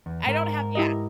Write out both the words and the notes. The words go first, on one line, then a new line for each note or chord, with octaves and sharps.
I don't have yeah.
E2
G#2 A#4
E4 G4 D#5